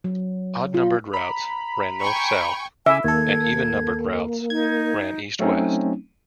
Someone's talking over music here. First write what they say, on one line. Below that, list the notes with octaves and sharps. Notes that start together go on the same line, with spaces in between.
Odd-numbered routes ran north-south and even-numbered routes ran east-west.
F#3
F4
A#5 B5
G5 G#5 C#6
C#3 E5 G#5 D6
D#2 A#3 A4 G#6
D#4 G#6
F#3 A3 C4 C#4 D#4